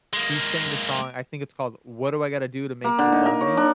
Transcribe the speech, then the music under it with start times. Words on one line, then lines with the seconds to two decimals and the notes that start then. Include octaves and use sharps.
he sang the song I think it's called, "What Do I Gotta Do To Make You Love Me?"
0.13 G#3 A#3
2.84 A#3
2.98 D3
3.12 D#4
3.26 A#4
3.41 C#5
3.57 D4